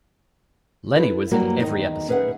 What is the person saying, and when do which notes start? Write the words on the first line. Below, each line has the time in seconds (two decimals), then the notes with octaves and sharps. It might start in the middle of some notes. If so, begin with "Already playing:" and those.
Lennie was in every episode.
0.96 E4 A4 B4
1.31 G2 F#3 G3 A#3 F#4 A#4
1.59 E2 G2 D#3 D#4 D#5
2.08 C#4 G#4 B4 E5 F#5